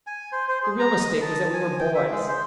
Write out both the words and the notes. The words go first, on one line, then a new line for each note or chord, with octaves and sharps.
The real mistake was that we were boys.
G#5
C5
C5
G#4
A#5
D#5
A5
G#5
G5
E5
G#3
C5